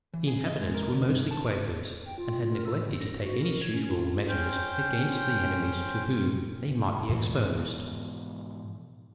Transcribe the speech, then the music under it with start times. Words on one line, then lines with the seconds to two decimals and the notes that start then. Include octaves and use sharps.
The inhabitants were mostly Quakers, and had neglected to take any suitable measures against the enemies to whom they might be exposed.
0.14 E3
0.27 G#4
0.46 D#5
0.61 G#3
0.75 A#4
0.93 D3
1.09 G2
1.31 A5
2.05 G5
2.18 F4
2.54 A#4
2.65 E6
2.84 D3
3.00 A#6
3.22 F#4
3.42 A#4
3.61 G#6
3.74 C#4
3.90 F4
4.28 C#4 C5 G5
7.09 G#2 B2 E3 F3